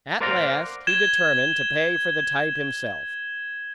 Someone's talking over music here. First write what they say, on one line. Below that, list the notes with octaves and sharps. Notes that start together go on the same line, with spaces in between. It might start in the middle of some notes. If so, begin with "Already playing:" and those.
At last he determined to pay for the type himself.
A#4 C5 D5 F5 F#5 A#5
G#6 E7 G7